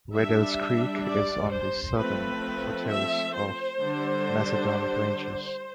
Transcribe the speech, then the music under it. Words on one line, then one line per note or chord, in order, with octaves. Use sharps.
Riddells Creek is on the southern foothills of the Macedon Ranges.
G3 D4 E5
D5
C5
F3 A3 C4 B4
E5
C5
D3 G3 D4